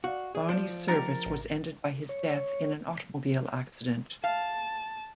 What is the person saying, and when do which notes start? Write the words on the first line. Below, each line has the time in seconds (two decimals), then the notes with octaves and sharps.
Varney's service was ended by his death in an automobile accident.
0.04 F#4 D5 F5
0.35 G#4 D5
0.49 F3 C5 D5 D7 E7
0.88 G#3 D4 G4 A#4 A6 A#6 C#7
1.26 A1
2.09 C#5
4.24 F5 A5